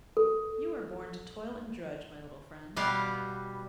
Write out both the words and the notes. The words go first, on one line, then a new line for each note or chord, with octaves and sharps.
You are born to toil and drudge, my little friend.
A4
B2 G3 B3 G4 F5